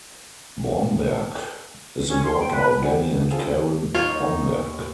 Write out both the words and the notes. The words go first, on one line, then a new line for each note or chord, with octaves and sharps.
Bromberg is the daughter of Danny and Karen Bromberg.
C#4
C6
G5
B4
G4 C5 D5 D#5 F#5 G#5
D3
C4 F4 G#4 A4
D#2 D#4 F4 C#5 F5